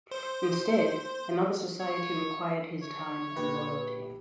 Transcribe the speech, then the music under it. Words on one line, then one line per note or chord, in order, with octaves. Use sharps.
Instead, another society required his time and loyalty.
C5
C#5
C#5
A#2 G4 B4